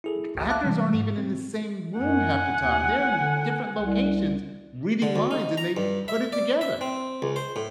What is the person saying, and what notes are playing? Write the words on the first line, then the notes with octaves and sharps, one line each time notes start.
G Actors aren't even in the same room half the time, they're in different locations reading lines and they put it together.
E4 G#4 A4
G#1 D2
E5 F5 A5 D6 F#6
C3 E3 G3 G#3
G#2
C4
F#2 F#5 G#5
D#2
D3
C2
D3
D2
D#4
A#5
G2
E5
D5
E5
C4
C#2
C5
A2